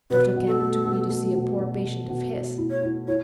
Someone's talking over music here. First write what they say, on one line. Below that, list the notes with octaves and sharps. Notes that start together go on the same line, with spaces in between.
"Dr. Kemp took me to see a poor patient of his."
B2 B4
B2
A4
A3
B2
A3
B2
B2
B2
B2
B2
E4
C#5
E4
E4 C#5